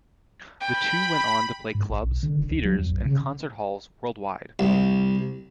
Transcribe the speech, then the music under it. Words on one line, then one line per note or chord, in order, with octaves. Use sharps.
The two went on to play clubs, theatres and concert halls worldwide.
G5 B5
G#2
A1
B1
D3
E1
C#2
F#3
F2
B1
C#3
C2